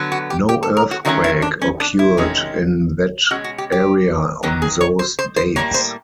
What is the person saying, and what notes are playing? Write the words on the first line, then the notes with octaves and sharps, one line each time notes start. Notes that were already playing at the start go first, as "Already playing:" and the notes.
No earthquake occurred in that area on those dates.
Already playing: D3 F#3 B3
F#4
G4
G4
A4
A#4
F#4
D#3 F#3 A3 C#4 F#4
E4
D4
C#4
D4
E4
C3 D#3 G#3 C#4
B2 G#3 C#4 F#4
F#4
G4
G4
D#3 F#3 B3 G4
G#4
C#5
C5
C5
C5
A2 E3 G3 A#3 C#5
C5